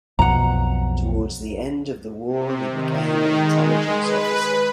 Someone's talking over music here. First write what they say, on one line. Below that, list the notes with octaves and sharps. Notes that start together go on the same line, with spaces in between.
Towards the end of the war he became an intelligence officer.
B1 F2 F#5 A#5
C3
D#3
G#3
B4